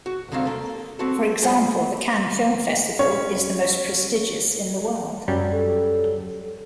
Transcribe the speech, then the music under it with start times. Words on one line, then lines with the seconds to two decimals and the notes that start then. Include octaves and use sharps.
For example, the Cannes Film Festival is the most prestigious in the world.
0.06 F#4
0.32 C2 D3 D#3 C4 F5
0.45 A#3 A4
0.99 C4 F#4 A4
1.42 G3 F4 C5 F#5 G#5 B5
2.99 C#4 C#5
5.28 F#2 F#3 G3 C#4
5.52 A4